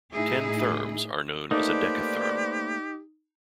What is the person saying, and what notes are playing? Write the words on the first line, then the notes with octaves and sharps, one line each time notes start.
Ten therms are known as a decatherm.
A2 D#4 E4 G#4
A3 A#3 D#4 G4 B4 C5 D5